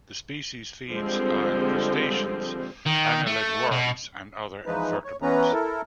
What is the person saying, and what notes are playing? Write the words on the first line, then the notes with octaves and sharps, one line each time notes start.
The species feeds on crustaceans, annelid worms, and other invertebrates.
D3 F3 G3 G#3 C4
D#3
A3
B2
E3 F3 G#3 D#4 B4
C#5
E3 B3 C#4 B4 A#5
E4 A4 A#4